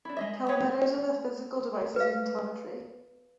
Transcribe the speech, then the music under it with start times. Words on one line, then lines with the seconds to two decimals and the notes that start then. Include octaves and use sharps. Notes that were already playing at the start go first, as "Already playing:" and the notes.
Telemeters are the physical devices used in telemetry.
0.05 D4 E4
0.17 G#3 D#5 E5
0.49 G4 G#4 B4 C#5 F#5
0.75 C5
1.96 B4 F5